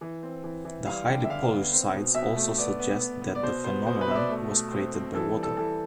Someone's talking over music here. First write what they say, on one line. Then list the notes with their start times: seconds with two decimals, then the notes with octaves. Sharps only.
The highly polished sides also suggest that the phenomenon was created by water.
0.01 E3
0.23 C4
0.44 E3
0.65 E3
0.86 G3 F5
1.08 D3 G5
1.24 E5
1.30 D3 F5
1.51 B3
1.73 C4
1.94 B2
2.14 B2 E5
2.36 A3
2.58 B3 D5
2.79 B3
3.00 B3
3.22 B3
3.35 D5
3.43 B2 C5
3.64 B3 C5
3.86 B2 C5
4.01 B4
4.07 B2 E5
4.15 D5
4.29 A3
4.51 A3
4.71 C4
4.94 C4
5.15 E3 A4
5.36 G3
5.43 A4
5.57 E3 A4